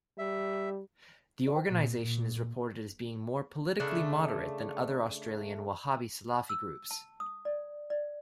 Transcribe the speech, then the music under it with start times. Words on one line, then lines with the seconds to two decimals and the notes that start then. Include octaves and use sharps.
The organisation is reported as being more politically moderate than other Australian Wahhabi-Salafi groups.
0.18 G3 E5
1.70 A#2
1.99 A#2
3.80 C#3 A3 D4 E5
6.49 E6
6.91 A5
7.20 D#6
7.45 D5
7.90 D5